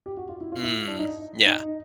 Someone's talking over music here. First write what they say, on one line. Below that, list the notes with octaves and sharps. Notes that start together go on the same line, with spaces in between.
Mm, yeah.
G4
F#4
F4
E4
F4
E4
D4
D#4
D#4